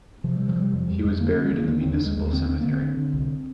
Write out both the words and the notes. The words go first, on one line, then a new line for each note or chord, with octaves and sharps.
He was buried in the municipal cemetery.
C3 F3
C3 G3
F3
C3 G3
F2 F3
F2 G3
F2 G#3
D3 A#3
D3 A#3
G#3
D3 A#3
D3 A#3
D#2 C4
D4
D#2 G#3
D#2 G#3
D3 C4
D3 C4
D3 A#3
C4
D3
D3
C2